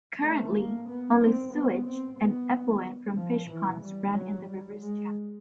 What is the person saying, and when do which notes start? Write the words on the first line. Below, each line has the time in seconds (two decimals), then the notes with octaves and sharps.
Currently, only sewage and effluent from fish ponds run in the river's channel.
0.23 A3
0.56 A#3
0.89 B3
1.21 C4
1.54 B3
1.87 C4
2.20 B3
3.16 F3
3.50 E3
3.82 G3
4.14 F#3
4.47 G3
4.80 G#3